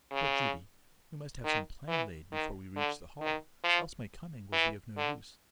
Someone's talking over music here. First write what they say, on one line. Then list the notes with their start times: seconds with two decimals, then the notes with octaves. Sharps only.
"But, Judy, we must have some plan laid before we reach the Hall; else my coming will be of no use."
0.11 C#3
1.44 D#3
1.88 E3
2.32 D#3
2.76 D3
3.21 D#3
3.64 F3
4.53 E3
4.97 D3